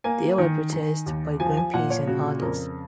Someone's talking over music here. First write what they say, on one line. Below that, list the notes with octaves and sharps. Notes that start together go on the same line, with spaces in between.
There were protests by Greenpeace and others.
A#3 G#5
D#3
D#3
D#2
F3 G#5
G#5
A#2 F#5
C#5
C#3 F#4
F2 A#4